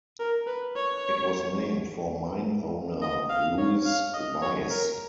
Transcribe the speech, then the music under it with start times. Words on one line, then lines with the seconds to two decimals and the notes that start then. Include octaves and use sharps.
It was named for mine owner Louis Weiss.
0.19 A#4
0.47 B4
0.76 C#5
3.02 D#5
3.30 F5
3.58 C#5
3.86 F5
4.14 D#5
4.42 C#5
4.70 A#4